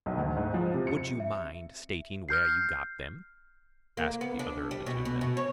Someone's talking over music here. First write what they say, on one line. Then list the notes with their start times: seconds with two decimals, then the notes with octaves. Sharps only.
"Would you mind stating where you got them?" asked the other of the two men.
0.06 B1
0.17 D2
0.37 G#2
0.54 F3
0.74 C3
0.87 C#7
1.20 E5
2.29 F6 G6 C7
3.97 A#3
4.21 B3
4.39 D4
4.71 G3
4.86 B2
5.05 B2
5.21 B2
5.37 C#5